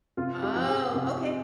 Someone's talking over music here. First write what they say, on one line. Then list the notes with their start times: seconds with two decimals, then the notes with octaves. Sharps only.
Oh, okay.
0.17 C3 F4
0.43 G4
0.55 F3
0.69 G#4
0.94 C3